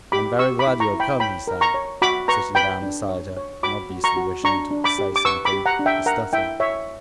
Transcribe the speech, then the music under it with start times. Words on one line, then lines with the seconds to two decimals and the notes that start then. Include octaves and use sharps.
"I am very glad you have come," he said, sitting down beside her, and obviously wishing to say something, he stuttered.
0.12 G4 B5 D6
0.39 G4 C#6 E6
0.59 B5 D6
0.67 E4
0.80 A#5 C#6
0.93 E4
1.00 G5 B5
1.20 C#5 G5 B5
1.47 A#4
1.61 A#5 C#6
1.74 C#5
2.02 F#4 B5 D6
2.28 B4 A#5 C#6
2.55 B4 G5 B5
2.82 D4
3.09 C#5
3.37 C#5
3.63 F#4 B5 D6
3.90 F#4
4.04 A#5 C#6
4.17 F#4
4.44 D4 A#5 C#6
4.71 D4
4.84 B5 D6
4.99 G4
5.16 D6
5.25 B4 C#6 E6
5.45 B5 D6
5.53 G4
5.66 F#5 A#5
5.79 D4
5.86 E5 G5
6.06 A#4 F#5 A#5
6.33 E4 E5 G5
6.60 C#5 E5